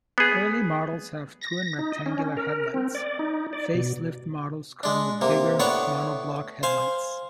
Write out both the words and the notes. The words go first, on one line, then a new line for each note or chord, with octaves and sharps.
Early models have twin rectangular headlights, facelift models come with bigger monoblock headlights.
B3 G#4
A#6
D#4
D#5
C#4
A#4
C4
D5
D#4
D5
B2
G#3 D4
C3 A#3
A2 B3 D4 C#5 F#5
C5 F5 G#5